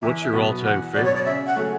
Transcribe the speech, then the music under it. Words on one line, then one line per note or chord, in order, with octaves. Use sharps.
What's your all-time favorite?
E2 E5
E5
B2 F#3 B3
E2 F#5
B2 F#3 B3 D5
C#5
D5
C#3 E5
F#5
F#3 A3 C#4 G#4